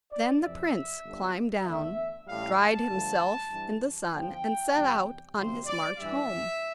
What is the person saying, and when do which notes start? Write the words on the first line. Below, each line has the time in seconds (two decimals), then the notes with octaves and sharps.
Then the prince climbed down, dried himself in the sun, and set out on his march home.
0.11 D5
0.42 F2 C3 E3 E5
1.03 G1 G2 D3
1.65 E2 D3 A3 E5
2.27 A1 A2 G3 F5
2.58 A5
2.89 G2 D3 F3 A3
3.51 G2 E3 G3
4.13 E2 D3 F3 G5
4.74 E2 C3 G3
5.36 D2 C3 F3 C5
5.67 D5
5.97 G2 E3 G3 E5